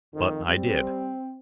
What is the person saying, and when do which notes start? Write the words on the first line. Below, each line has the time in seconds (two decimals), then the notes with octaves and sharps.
But I did.
0.14 F2 D#3
0.47 G3 C4